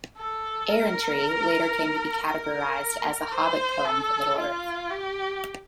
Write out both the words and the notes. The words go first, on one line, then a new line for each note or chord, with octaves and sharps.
"Errantry" later came to be categorised as a Hobbit poem from Middle-earth.
A4
A#4
A#4
C5
A4
F4
G4